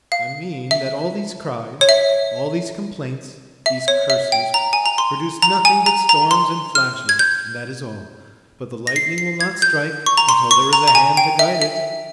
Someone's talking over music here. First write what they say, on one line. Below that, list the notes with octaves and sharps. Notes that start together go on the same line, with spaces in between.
"I mean that all these cries, all these complaints, these curses, produce nothing but storms and flashes and that is all; but the lightning will not strike until there is a hand to guide it."
F5
E5
C#5
E5
E5
C#5
E5
G5
A#5
G#5
A#5
C6
A#5
G#5
A#5
A#5
C6
F6
G#6
G6
A#6
C7
C7
G#6
G6
C#6
A#5
C6
C#6
A#5
A#5
G#5
G5
E5
E5